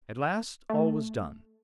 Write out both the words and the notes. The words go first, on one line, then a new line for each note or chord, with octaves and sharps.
At last all was done.
A3